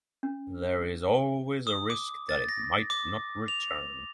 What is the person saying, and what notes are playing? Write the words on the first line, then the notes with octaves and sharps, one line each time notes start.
There is always a risk that it might not return.
C#4
D#6
D6
A6
A#6
D6
F7